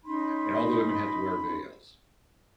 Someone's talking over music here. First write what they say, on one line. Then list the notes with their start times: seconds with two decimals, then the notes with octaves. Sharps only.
and all the women had to wear veils.
0.05 C#4 D#4 B5 C6